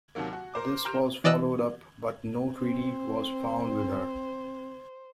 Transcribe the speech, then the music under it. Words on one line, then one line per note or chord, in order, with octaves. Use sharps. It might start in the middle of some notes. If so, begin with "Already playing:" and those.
This was followed up, but no treaty was found with her.
D#2 C3 D#3 F#3 A#3
F#4
A#4 C5 D6
A#5 C6 F6 G6 D7 E7
E3 D5 D#5 E6 F#6
C4 C5